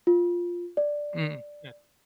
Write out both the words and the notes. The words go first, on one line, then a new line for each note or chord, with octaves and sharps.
Mm. Yeah.
F4
D5